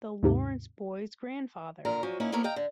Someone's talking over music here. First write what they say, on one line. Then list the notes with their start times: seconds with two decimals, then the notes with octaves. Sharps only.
The Laurence boy's grandfather!
0.23 D#2 G#2 C3
1.85 A#2 D3 A#4 A#5
2.03 F3 F#3 C#4
2.20 A#3 C#4 D#4 E4
2.32 A#3 B3 E4 A4 A#4 C#5
2.44 D#5 F5 G5 A#5
2.56 D3